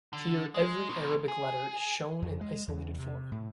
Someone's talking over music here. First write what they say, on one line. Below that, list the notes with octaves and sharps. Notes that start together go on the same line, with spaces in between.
Here every Arabic letter is shown in isolated form.
D3
G#3
B2 F3
G#4
F2
G#3
E2
C3
A2